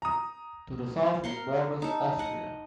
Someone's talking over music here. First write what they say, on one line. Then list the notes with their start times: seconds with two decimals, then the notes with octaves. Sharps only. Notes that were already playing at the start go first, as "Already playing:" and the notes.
To the south it borders Austria.
0.02 A#5 D#6
1.24 A#4 F#5 C6
1.82 D#4 A4
2.19 D#5 F#5